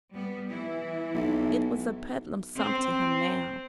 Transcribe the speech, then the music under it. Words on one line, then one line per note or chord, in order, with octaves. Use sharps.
It was a peddling sum to him now.
G3 B3
E3 E4
B1
C4